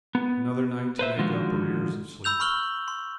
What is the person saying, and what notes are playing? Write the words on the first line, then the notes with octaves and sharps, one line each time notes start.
Another night to make up arrears of sleep.
B3
B4 C5 E5
D3 D#3 F3 G#3 F#4
B5 E6 G6 F7
B5 C#6 F6 F#7 G7
C6